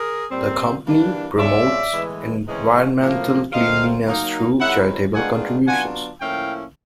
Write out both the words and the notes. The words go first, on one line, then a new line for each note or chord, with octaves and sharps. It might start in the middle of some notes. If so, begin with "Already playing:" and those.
The Company promotes environmental cleanliness through charitable contributions.
Already playing: G#4 A#4
A#2 G3 C4
E3 G3 A#3 D4
B2 G#3 C#4 F4 D5 E5
A2 E3 G#3 B3
C3 E3 G#3 C#4
A2 F3 A#3
F#3 A3 C4 F4 D#5 F5
F#3 A#3 D#4
D#3 G#3 C#4 E4 E5 F#5
D#3 G#3 B3 D4 F4 F#5 G#5
F#3 B3 D4 F4 F#5 G#5
A2 F3 A#3 C#4 E4 F5 G5